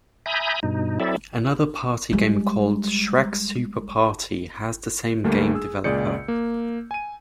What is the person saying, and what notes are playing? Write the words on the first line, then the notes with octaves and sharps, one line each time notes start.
Another party game called "Shrek Super Party" has the same game developer.
E5 G#5 A#5 B5 D#6 G6
G2 B2 D#4
F#3 C4 E4 A4 D5 E5
G3 G#3
D2 G3 A3 A#3
G#4 E6
C#2 A#2 G#4 D5 G6 C#7
A#3
G#5 D#7